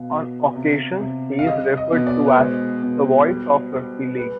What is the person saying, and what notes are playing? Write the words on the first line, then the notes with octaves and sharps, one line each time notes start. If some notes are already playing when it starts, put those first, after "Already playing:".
On occasions he is referred to as "The Voice of Rugby League".
Already playing: B2 F5
B2
C3
C3
F5
G3 D#5
D#5
B2
D5
B4
G#3 C5
B2
G3
G3
G3 B4